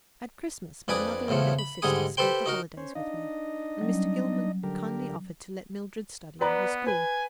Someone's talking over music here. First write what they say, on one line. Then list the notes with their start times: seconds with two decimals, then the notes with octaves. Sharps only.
At Christmas, my mother and little sister spent the holidays with me, and Mr. Gilman kindly offered to let Mildred study in his school.
0.88 F2 D4 B4 G#5 D6 D#6
1.28 E2 A2 C#3 F3
1.59 B5
1.82 G#2 D3 G3 G#3 G#5 D#6
2.17 G4 A4 B4 C5 G5
2.46 D#4 F#4 A#4
2.77 C#4 C5 C#5
2.95 D4 D#4 D#5 F5
3.81 F#3 G3 C#4
4.32 F#3
4.63 D3 G4 A#4
6.41 B3 B4 D5 A#5
6.87 B4 G#5